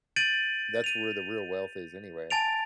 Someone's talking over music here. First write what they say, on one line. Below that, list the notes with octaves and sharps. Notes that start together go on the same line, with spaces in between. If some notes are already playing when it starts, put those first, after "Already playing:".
that's where the real wealth is anyway.
G6 A6 D7 D#7 F#7
D#7 F7
G#5 A5 A6 D7 F7